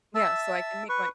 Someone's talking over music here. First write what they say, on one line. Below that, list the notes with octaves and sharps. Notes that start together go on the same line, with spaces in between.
Yeah, so I can make my
E5 A5 E6
B4 C#6